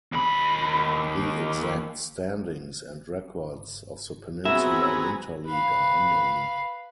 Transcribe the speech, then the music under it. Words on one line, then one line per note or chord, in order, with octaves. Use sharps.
The exact standings and records of the Peninsula Winter League are unknown.
D#2 B5
B3 C4 F#4 G#4 E5 A#5 E6
B4 F5